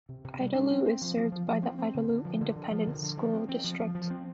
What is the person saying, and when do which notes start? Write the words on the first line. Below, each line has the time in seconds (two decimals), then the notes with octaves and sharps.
Idalou is served by the Idalou Independent School District.
0.09 C3
0.24 C3
0.40 G3
0.55 D4
0.71 C4
0.86 C4
1.02 F3
1.17 F3
1.32 F3
1.48 F3
1.63 C4
1.79 C4
1.94 D3
2.09 D3
2.25 F3
2.41 D3
2.56 D3
2.71 F3
2.87 D3
3.02 D3
3.18 F3
3.33 C4
3.49 C4
3.64 F3
3.80 F3
3.95 F3
4.10 C4